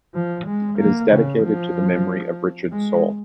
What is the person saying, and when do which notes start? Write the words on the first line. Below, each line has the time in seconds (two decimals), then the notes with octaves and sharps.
It is dedicated to the memory of Richard Sohl.
0.15 F3
0.46 G#3
0.78 A#3
1.11 C#3
1.44 F3
2.72 G#3